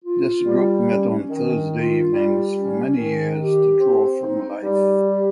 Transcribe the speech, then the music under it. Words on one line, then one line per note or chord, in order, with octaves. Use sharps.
This group met on Thursday evenings for many years to draw from life.
F4
G3
C#4
D#3
F4
G3
C#4
D#3
G4
C4
D#4
G3
G4